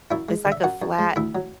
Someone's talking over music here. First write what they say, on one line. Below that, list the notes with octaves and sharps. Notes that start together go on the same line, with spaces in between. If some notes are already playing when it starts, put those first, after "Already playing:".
It's, like, a flat
F#2 E4 E5
G#3
D3
E5
F#2 F#4 F#5
F#2
G#3
D2 E4 E5
F#3